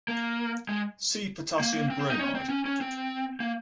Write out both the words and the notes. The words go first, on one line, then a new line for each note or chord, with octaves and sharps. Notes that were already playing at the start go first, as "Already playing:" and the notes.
See potassium bromide.
A#3
G#3
A#3
A#3
C4
C4
D#4
C#4
C4
C#4
C#4
C4
A#3